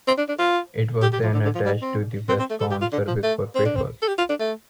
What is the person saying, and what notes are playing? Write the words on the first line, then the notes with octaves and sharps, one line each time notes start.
It was then attached to the westbound service for breakfast.
C4
D4
D4
F4
G4
G4
F3
D3
D3
F3
G3
C4
C4
C4
A3
A4
G4
F4
D3
F3
A3
C4
D4
C4
A4
G4
F4
D4
A3